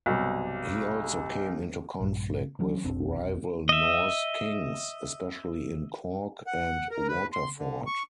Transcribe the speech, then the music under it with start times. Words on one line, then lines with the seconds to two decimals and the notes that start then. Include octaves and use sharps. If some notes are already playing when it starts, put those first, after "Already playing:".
He also came into conflict with rival Norse kings, especially in Cork and Waterford.
0.06 B1 G2 C3
2.00 A#1 G2
2.59 E3 F#3 C#4 D4
2.84 F1 B1 C4 D4
3.69 D#5 E5
6.47 F#5
6.91 A#4
7.08 B4
7.33 C6
7.58 D3
7.87 C#6